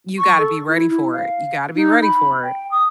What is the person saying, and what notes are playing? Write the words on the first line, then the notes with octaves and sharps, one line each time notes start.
You gotta be ready for it. You gotta be ready for it,
C#6
A4
E4
E4
F5
D#4
B5
G5
D#6